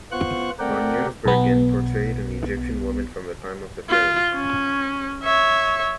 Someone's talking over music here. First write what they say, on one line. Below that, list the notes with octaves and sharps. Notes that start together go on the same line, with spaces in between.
Van Giersbergen portrayed an Egyptian woman from the time of the pharaohs.
B3 F4 C5 F#5 C#6 F#6
A3 C4 A#4 D5 F#5 G5
B1 B3
F4
C#4
C#5 E5